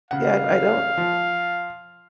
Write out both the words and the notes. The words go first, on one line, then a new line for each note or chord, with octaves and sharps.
yeah, r I don't
C#3 F5 F#5
F3